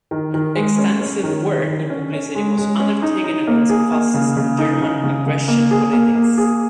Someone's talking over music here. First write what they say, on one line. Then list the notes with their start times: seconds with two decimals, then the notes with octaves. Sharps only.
Extensive work in publicity was undertaken against fascist German aggression politics.
0.11 D#3
0.34 D#3
0.55 G#3
0.78 C#4
1.01 C#4
1.23 D#3
1.45 D#3
1.68 D#3
1.90 C#4
2.13 C#4
2.35 G#3
2.57 G#3
2.80 C#4
3.02 D#4
3.24 D#4
3.47 A#3
3.69 G#4
3.92 A#3
4.14 C#3
4.37 C#3
4.59 D#4
4.81 C#3
5.04 C#3
5.26 C#3
5.48 A#3
5.71 G#4
5.93 A#3
6.15 A#3
6.38 G#4